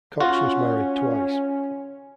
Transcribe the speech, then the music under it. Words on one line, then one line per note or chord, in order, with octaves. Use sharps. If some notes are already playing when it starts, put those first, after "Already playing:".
Cox was married twice.
C#4 F4 F#4